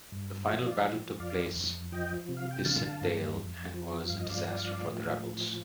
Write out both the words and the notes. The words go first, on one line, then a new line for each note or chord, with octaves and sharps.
The final battle took place at "Dussindale", and was a disaster for the rebels.
G2
F3 F5
D#5
D5 F5
F3
F2 D5 F5
F2
F3 D#5 G5
C3
F5
G5
D3 F5 A5
G2
F2
F3
G2 F5
D#5
D5 F5
F3
A2
F3